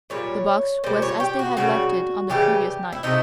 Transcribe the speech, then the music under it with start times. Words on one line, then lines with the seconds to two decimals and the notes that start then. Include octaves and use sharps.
The box was as they had left it on the previous night.
0.10 A#2 G3 C#5
0.84 A#2 G3 C5
1.02 C#5
1.20 G4
1.39 F#4
1.57 C#3 E3 G3 F#4
2.30 C#3 E3 G3 G4
2.93 E4
3.03 C3 F3 A3 D#4